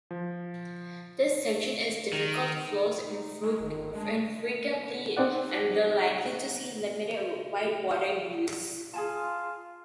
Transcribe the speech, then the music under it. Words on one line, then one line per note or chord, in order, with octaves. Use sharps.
This section is difficult, flows infrequently, and will likely see limited whitewater use.
F3
D#3
D#4
G#3
G1 D#3
G#3 D4
C4 D#4 D5 F#5
F4 G#4 G#5 A5